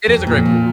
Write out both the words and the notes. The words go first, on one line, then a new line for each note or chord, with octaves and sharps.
It is a great movie.
F2
A#2
F3